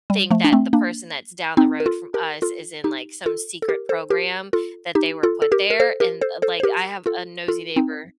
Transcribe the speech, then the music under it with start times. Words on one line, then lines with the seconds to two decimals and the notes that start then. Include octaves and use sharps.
think that the person that's down the road from us is in, like, some secret program that they were put there," and, uh, like, I have a nosy neighbor
0.10 G3
0.31 F3 A3
0.44 D4
0.52 A3 C4
0.73 A#3 D4
1.57 C4 D#4
1.80 A#4
1.86 F4 A4
2.14 G4 A#4
2.42 F4 A4
2.84 D#4 G4
3.26 F4 A4
3.62 A4
3.69 G4 A#4
3.89 A4 C5
4.10 G4 A#4
4.53 F4 A4
4.95 D#4 G4
5.23 F4 A4
5.42 A4
5.52 G4 A#4
5.70 A#4
5.80 A4 C5
6.00 G4 A#4
6.21 A4 C5
6.42 A4 C5
6.60 C5
6.63 G4 A#4
7.06 F4 A4
7.48 F4 A4
7.76 C4 D#4